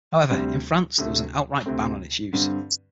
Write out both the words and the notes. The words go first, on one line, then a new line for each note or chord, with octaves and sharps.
However, in France there was an outright ban on its use.
D2 C3 G3 C4
D2 C3 A3 C4 A4
D2 C3 A3 C4
G2 D3 C4